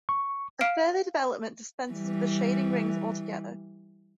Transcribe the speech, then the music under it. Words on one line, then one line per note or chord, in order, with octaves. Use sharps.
A further development dispenses with the shading rings altogether.
C#6
F5 F6 C7 D7 E7
E3 G3